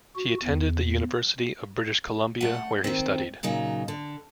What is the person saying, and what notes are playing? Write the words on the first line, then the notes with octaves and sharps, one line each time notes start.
He attended the University of British Columbia where he studied.
F#4
E2
A3 F#5
D#3 C4
A#2 C#3 F#3 D#4
D3